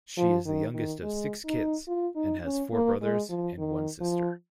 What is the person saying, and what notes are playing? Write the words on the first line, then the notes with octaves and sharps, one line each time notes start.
She is the youngest of six kids, and has four brothers and one sister.
F3
D#3
D#3
G#3
D#4
F4
D#4
C#4
A#3
G#3
F3
D#3
F3